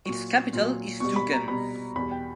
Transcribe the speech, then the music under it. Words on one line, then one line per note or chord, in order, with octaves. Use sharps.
Its capital is Tougan.
A#2 F#3 C#6
A#2 F#3
B2 G3 C#6
B5
A#5
B2 G3 B5
E2 B2 G3 B5
G5